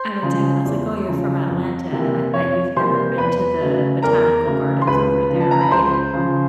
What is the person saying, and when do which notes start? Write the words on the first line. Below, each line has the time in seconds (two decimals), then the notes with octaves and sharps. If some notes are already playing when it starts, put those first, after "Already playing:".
I went to him, and I was like, "Oh, you're from Atlanta. I bet you've never been to the Botanical Gardens over there, right?"
Already playing: C5 C6
0.23 C#3 F3
0.65 E2
1.08 C#3 F3
1.49 F2
1.92 C3 E3 G3 A#3
2.34 F2 C#5 C#6
2.76 C3 E3 G3 A#3 C5 C6
3.18 E2 B4 B5
3.61 C#3 F#3 A3
4.03 E2 A#4 A#5
4.45 C#3 F#3 A3
4.82 C6
4.87 C#2 B4 B5
5.29 C#3 F3
5.40 A5
5.51 A#5
5.61 B5
5.71 C#2 C5 C6
6.13 C#3 F3